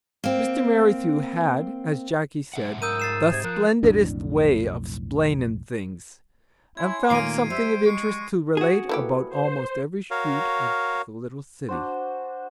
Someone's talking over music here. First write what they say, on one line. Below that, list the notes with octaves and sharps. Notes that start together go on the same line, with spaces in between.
Mr. Merrithew had, as Jackie said, "the splendidest way of splaining things," and found something of interest to relate about almost every street of the little city.
A#3 C4
G#2 E5 F#5
A#4 D#6 E6 G6 D#7
A6 C7 E7
C3 G#6
F3 A#4 F#6
B1 F2 A2 D4
E4 C#5 G#5 C6 G#6
A#2 D#3 A3 A#3 C7 D7 D#7
G3 C5 E5
G#3 C#6 C7
F#4 G#4
A#3 E4 G4 A4 B4
C5
F#4 A#4 C#5 F5
D4 F#4 C5